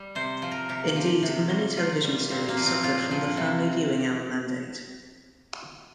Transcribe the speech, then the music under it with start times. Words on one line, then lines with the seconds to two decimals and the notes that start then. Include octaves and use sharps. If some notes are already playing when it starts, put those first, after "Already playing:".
Indeed, many television series suffered from the Family Viewing Hour mandate.
Already playing: G3
0.15 C3 C5
0.42 F3
0.51 A#4
0.69 C3 G4
0.96 F3
1.23 C3
1.50 G3
1.76 C3 F4
2.03 G3
2.30 A#2 C4
2.49 A#3
2.57 F3
2.66 C4
2.84 A#2 F4
3.11 F3
3.37 C3